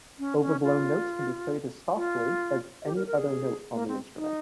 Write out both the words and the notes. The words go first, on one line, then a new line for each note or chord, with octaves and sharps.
Overblown notes can be played as softly as any other note on the instrument.
C#4
C#4
F4
F4
G4
A#4
A#4
G#4
A#3
C4
D#4